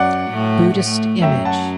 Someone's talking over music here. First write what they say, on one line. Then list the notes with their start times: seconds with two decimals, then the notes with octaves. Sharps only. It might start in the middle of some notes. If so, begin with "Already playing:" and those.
Buddhist image.
Already playing: F#2 F#3 D5 F#5
0.31 A2 A3
0.76 A2 A3
1.22 F#2 F#3 E5 G5
1.45 F#5 A5